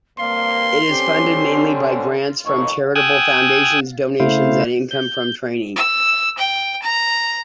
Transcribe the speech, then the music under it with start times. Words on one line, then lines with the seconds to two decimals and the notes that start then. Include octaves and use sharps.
It is funded mainly by grants from charitable foundations, donations and income from training.
0.19 G2 A#3 C4 F5 C6
0.89 D3 C4 C#4 G4
2.45 F2 A2 D#3 C#6
2.96 G5 G#5 D#6 E6 F#6 G#6
4.20 C#3 A3 E4 C5 F5
4.91 G6
5.76 E6
6.38 G5
6.82 A#5